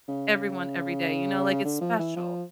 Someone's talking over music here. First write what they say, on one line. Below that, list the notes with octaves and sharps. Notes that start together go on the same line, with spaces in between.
everyone every day. You know, like, it's special.
C#3
D3
F3
E3
F3